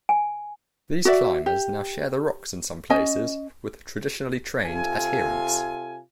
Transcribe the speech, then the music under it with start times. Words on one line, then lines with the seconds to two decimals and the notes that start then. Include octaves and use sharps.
These climbers now share the rocks in some places with traditionally-trained adherents.
0.09 G#5
1.05 F#4 D5 E5
1.46 G4
2.90 C#4 D#5 G#5
4.66 C3 F4 A4 G#5